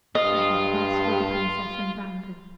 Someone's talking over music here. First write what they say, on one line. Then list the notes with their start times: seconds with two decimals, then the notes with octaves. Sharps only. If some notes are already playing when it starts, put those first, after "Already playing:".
Ahead of us were the princess and Brandon.
0.15 G2 F4 D#5